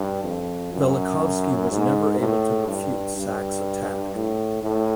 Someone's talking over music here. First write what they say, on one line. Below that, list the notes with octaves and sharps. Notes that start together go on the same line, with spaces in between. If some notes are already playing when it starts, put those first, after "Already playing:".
Velikovsky was never able to refute Sachs' attack.
Already playing: G2
F2
F#2
G#2
A2
G2
G2
A2
A2